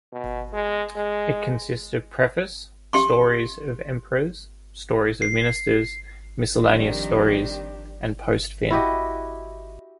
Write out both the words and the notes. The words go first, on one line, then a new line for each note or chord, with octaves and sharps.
It consists of Preface, Stories of Emperors, Stories of Ministers, Miscellaneous Stories and Post-fin.
B2
G#3
G#3
G4 C6 C#6
C7
D#3 F3 G3 C4 D4 G4
E4 F#4 G4 D#5